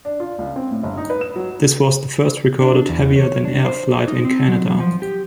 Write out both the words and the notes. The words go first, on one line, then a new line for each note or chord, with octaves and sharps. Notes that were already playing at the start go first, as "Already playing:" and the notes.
This was the first recorded heavier-than-air flight in Canada.
D4
F4
C#2
C4
A2
G1
D#4
B4
E7
F#3
D4
E2
C#5
D4
C5
D#4
C4
F#3
F3
G4